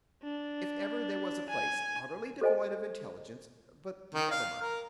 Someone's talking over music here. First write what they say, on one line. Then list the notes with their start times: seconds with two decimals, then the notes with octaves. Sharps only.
If ever there was a place utterly devoid of intelligence-but never mind!
0.24 D4
1.50 G#5
2.41 A4 C5 D#5 G5 G#5
4.15 D#3
4.31 F5
4.62 A#4